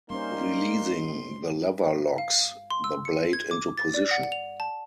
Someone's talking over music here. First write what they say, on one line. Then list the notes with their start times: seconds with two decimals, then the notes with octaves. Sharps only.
Releasing the lever locks the blade into position.
0.10 G3 A#3 C#4 D#4 C5 C6
2.18 F5
2.70 C6
2.84 E6
3.05 C#7
3.33 G#6
3.51 D6
3.78 A6
3.94 D5
4.11 F#5
4.32 F7
4.60 A5